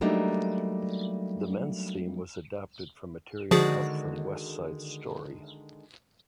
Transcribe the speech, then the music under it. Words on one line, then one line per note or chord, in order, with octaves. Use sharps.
The men's theme was adapted from material cut from "West Side Story".
F#3 G3 A3 A#3 D4 D#4
D3 D#3 F3 G#3 F#4 G#4 D5